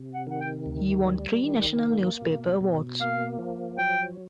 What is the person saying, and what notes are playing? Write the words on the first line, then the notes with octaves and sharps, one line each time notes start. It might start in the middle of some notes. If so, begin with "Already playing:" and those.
He won three National Newspaper Awards.
Already playing: C3
F#5
D#3 F#5
G5
D2
G3
D#3
A#3
B2
B2
A#3 F5
F3
F#3 G5